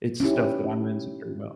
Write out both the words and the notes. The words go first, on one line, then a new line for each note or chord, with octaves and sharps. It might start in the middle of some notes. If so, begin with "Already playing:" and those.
It's stuff that I'm insecure about.
C#4 D#4 E4 G4